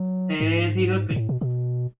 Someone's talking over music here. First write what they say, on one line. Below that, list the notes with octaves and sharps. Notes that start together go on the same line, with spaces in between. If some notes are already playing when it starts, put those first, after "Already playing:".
And he hooked me.
Already playing: F#3
G#2
G#2
A2
B2
B2